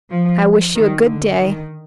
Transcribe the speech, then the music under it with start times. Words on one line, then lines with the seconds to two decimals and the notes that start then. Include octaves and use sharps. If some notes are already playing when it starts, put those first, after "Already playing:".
"I wish you a good day."
0.10 F3
0.75 D#3
1.06 D3
1.40 D#3